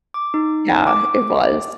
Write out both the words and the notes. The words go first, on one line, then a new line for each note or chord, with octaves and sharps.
Yeah, it was.
D6
D#4
D6